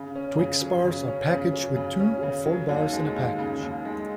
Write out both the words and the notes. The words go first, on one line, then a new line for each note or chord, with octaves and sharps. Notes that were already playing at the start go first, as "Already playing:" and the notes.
Twix bars are packaged with two or four bars in a package.
Already playing: C#3
C#4
C#3
F#3
C#3
C#4
C#3
F#3
C#3
C#4
C#3
F#3
D#2
G#3
D#2
C#3
D#2
G#3